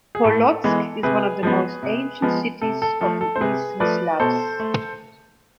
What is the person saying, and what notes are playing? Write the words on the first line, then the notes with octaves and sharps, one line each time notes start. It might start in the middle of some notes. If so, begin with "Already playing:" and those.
Polotsk is one of the most ancient cities of the Eastern Slavs.
G#4
A2 A4
E3 G#3 B3
C3 G#4 B4
F3 G#3 B3
C3
F3 G#3 B3
C3 A4
A4
F3 A3 A4
A4
C5
C3 G#4 B4
F3 A3 B4 D5
B2 A4 C5
A3